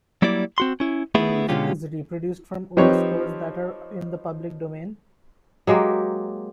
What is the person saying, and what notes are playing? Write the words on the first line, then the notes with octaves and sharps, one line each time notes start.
The music is reproduced from old scores that are in the public domain.
F#3 G3 A#3 E4 D5
C4 F#4 C6
C#4 E4
A3 B3 E4 G#4
B2 D3 G#3 C#4 F4 G4
F3 C4 D#4 G4 B4 C#5
F#3 G#3 A#3 G4